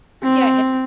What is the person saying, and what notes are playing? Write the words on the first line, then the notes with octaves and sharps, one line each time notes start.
yeah an
C4